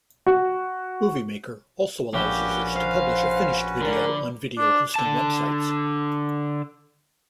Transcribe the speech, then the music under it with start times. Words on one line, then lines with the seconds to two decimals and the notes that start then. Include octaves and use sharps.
Movie Maker also allows users to publish a finished video on video hosting websites.
0.26 F#4
2.14 A#1 C#4 F#4 G4 B4
2.76 C5 F5
3.81 D3 A#4 D5 B5
4.59 D4
4.96 D3 A5